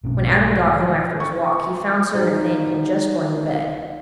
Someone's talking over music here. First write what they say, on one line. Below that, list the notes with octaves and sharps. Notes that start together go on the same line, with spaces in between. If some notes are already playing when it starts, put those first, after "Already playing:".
When Adam got home after his walk, he found Sir Nathaniel just going to bed.
B1 G#2 B2 C#4
C#6
D#4 F#4 G#4 A#4 C5 D#5